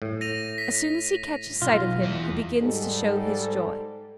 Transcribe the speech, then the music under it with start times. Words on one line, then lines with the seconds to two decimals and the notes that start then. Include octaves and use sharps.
As soon as he catches sight of him, he begins to show his joy.
0.02 A2
0.21 A#6 D#7 F7
0.58 B6
1.62 B1 F4
2.01 E2 E4
2.61 G#2 G3 A4